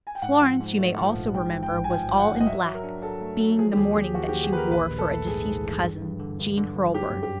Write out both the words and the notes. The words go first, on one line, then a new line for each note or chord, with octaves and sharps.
Florence, you may also remember, was all in black, being the mourning that she wore for a deceased cousin, Jean Hurlbird.
G#5
G5
G#2 F#5
F3
G#2
A3
F3
A#1
G#2 G5
F3
G5
A1
G#5
F3 G5
F3
F#5
G#2
D#5
F#3 E5
F#3
A#4
D4
F#3 A4
A3
F#3
F3 G#4
G4
D#2 G#4
D#2 G4
F3 F#4
G4
D#2
G#4
D#2 A#4 B4
A#1 B4
A#1
A4
A3
G#2 G#4
G#2
E3
G2
G2
D3
G2
D3
G2
F#3 G4
F#2
G4